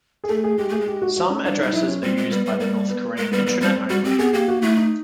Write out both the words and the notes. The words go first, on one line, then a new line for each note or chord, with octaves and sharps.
Some addresses are used by the North Korean Intranet only.
G#4
A3 A4
G#4
G#3 G4
A3 G#4
G#3
G4
F#4
F#4
C#4
G3 D4
G3 D#4
F#3 E4
C#4
G3 C4
G#3
G3 B3
G3
B3
G3 A#3
B3
G#3 A#3
G3 B3
G3 B3
G3 C4
C4
G3 F#4
C4 G4
B3 G#4
A#3 G4
F#4
A3 E4
D#4